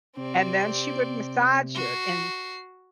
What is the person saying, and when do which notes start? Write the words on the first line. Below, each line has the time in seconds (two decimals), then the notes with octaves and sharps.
and then she would massage it, and,
0.17 C3 C4 D5
1.75 F#4 C7